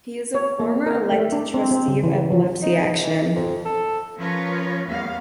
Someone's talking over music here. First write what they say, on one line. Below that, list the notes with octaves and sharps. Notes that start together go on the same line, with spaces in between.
He is a former elected Trustee of Epilepsy Action.
C#5
A#3
A#4
A3
D4
C4
C4
C#3
E3
F3
D#4
E3
F2
A4
F3 C#4 F4 A#4 B4 C#5
E2 G3 A#3 B3 F5